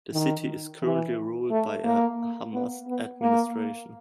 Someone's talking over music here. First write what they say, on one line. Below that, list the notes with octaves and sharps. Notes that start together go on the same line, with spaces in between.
The city is currently ruled by a Hamas administration.
D#3
E3
A3
A#3
B3
B3
A#3